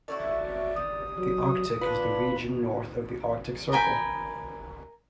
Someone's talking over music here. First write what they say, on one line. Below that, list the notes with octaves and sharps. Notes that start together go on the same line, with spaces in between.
The Arctic is the region north of the Arctic Circle.
A2 E4 F#4 D5
G3 D#6
F#3
B3 D4 F4 B4 B5
A#4 G5 G#5 B5